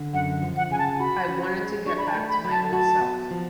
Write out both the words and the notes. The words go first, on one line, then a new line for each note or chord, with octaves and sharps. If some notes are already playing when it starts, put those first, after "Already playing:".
I wanted to get back to my old self.
Already playing: D3
F#2 F#5
F3
F#5
C#3 G#5
A5
F#4 B5
C#4
G#3
D4 C#6
B5
A5
A3
B5
F#3
A5
F#4 A5
B3
F3